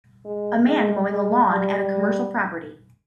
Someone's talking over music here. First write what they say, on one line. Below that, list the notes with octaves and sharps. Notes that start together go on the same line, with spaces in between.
A man mowing a lawn at a commercial property.
G#3
G#3
G#3
G3